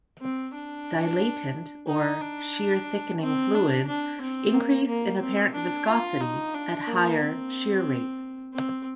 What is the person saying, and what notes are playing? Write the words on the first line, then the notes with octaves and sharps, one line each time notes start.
Dilatant, or "shear-thickening" fluids increase in apparent viscosity at higher shear rates.
C4
D4
D#4
D4
C4
D4
D4
C4
A#3
A#3
C4
D4
F4
D#4
D4
A#3
C4
C4